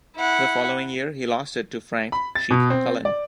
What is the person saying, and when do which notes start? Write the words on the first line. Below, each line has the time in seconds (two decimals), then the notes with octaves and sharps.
The following year, he lost it to Frank "Chic" Cullen.
0.17 E4 F#5
2.12 B5
2.35 A6
2.51 B2
2.70 C4
3.05 D5